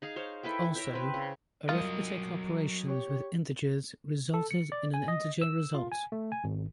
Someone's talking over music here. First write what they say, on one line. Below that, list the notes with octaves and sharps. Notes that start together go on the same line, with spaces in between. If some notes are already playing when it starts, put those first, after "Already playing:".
Also, arithmetic operations with integers resulted in an integer result.
D#4 G#4 F5
C5 C#5 F5
E4 A4 B4 G5
A#4 C#5 E5 G5
C4 B4
C#3
F#2 F#3 G3 F4 D#5
G4 C#5
A4
C#7
D5
G#5
D#5
E6
F4
G#5
A3
G#5
G#1